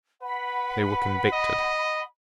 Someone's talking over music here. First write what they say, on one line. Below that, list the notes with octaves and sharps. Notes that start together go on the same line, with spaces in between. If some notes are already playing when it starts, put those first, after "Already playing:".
They were convicted.
B4 F#5 B5
D#5